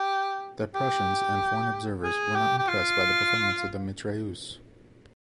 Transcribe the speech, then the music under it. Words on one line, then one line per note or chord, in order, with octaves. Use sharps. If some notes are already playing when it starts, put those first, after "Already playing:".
The Prussians and foreign observers were not impressed by the performance of the mitrailleuse.
Already playing: G4
G4
G#4
G4
G4
F4